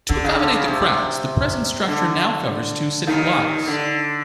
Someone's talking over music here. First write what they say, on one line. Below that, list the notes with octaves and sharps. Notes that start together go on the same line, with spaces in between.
To accommodate the crowds, the present structure now covers two city blocks.
D3
C#3
D3
C#3
C3
D3
D#2 D#3
D3